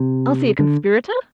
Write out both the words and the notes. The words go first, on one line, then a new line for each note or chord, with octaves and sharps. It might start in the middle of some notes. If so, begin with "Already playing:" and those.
Elsie a conspirator?
Already playing: C3
D3